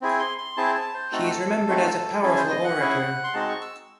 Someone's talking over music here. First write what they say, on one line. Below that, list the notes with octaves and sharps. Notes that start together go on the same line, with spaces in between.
She is remembered as a powerful orator.
C4 E4 G#4
C6
C6
C4 E4 G#4 A5
A5
C5
A3 C4 D#4 F#4 A4
A3 C4 D#4 F#4
C#4 E4 G#4 A4
C5
D#5
F#5
C#4 E4 G#4
C6
G#3 C4 D#4 F#4 A5
C#6
E6